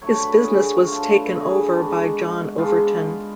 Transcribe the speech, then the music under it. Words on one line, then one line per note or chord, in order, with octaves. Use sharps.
His business was taken over by John Overton.
D3 F#3 A3 C#5
B4
G#4
F#4
D3 F#3 A3 F4
B4
F#4 G#4
G#2 G#3 B3 D4
G#2 G#3 B3 D4 F4